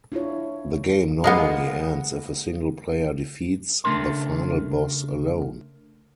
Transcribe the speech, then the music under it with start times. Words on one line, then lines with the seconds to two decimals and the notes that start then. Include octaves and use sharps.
The game normally ends if a single player defeats the final boss alone.
0.12 D4 E4 F4 C#5
1.24 G#3 A#3 B3
3.84 C#3 A3 D4 A#4 C6